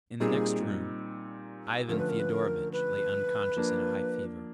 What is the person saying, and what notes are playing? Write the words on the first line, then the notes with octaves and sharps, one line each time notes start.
In the next room Ivan Fyodorovitch lay unconscious in a high fever.
A#2 G3 C4 D#4 G#4
D3 F3 A3 C#4 A#4
B4
A#4
B4
A#4
B4
F3 A#3 D4